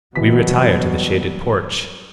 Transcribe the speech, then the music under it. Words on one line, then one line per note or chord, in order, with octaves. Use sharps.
We retire to the shaded porch.
F#1 B2 E3 F#3 G3 B6